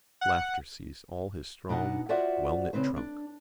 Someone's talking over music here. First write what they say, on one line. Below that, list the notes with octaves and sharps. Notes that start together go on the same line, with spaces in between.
Laughter seized all his strong wellknit trunk.
F#5
B2 D4 D#4 F#5
F4 F#4 C5 D5 E5 F#5
C#3 C4 B4 C5
D4